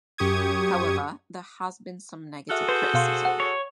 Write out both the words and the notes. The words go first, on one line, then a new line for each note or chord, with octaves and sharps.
However, there has been some negative criticism.
F#2 G4 C#6 D#6 G#6
F#4 G#4 A4 E5 F6 F#6
B4 C5
B2 F5 C6
F#5
C#5